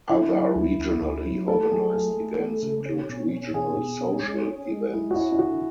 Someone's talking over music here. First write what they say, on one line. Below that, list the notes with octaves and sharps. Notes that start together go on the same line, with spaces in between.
Other regionally organised events include regional social events.
D3 E4
F#3
D2
D2
D2
F#3
A3 A4
F#3 G#4
A3 G#4
A3
A3
C#3
C#4
B2
C#4
B2 G#4
B2
C#4
G#3
C#4
G#3
G#3 E4
F#4
C#4 E4
E4
D3 F#4